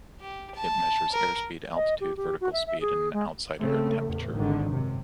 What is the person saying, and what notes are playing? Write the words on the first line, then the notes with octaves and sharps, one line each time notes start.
It measures airspeed, altitude, vertical speed, and outside air temperature.
G4
A5
A#4
D#5
G4
G4
F#4
E5
E5
G#4
G#3
C#3 A3 C4
E2 A2
G#1 G#2 D3 D#3
F#2 C3